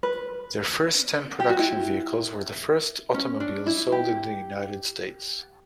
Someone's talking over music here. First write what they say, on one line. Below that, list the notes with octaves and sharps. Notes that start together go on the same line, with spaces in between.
Their first ten production vehicles were the first automobiles sold in the United States.
B4
G4
F#4
E4
C#4
D4
E4
G4